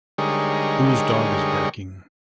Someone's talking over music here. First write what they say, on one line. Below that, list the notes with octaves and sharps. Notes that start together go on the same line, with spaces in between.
Whose dog is barking?
D3 G3 G#3 D#4 A#4 C#5